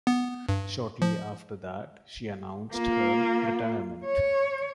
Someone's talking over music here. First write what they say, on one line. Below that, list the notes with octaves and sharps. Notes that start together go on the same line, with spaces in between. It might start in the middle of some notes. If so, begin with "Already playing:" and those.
Shortly after that she announced her retirement.
B3
G2
F3
A#3 F4
C#5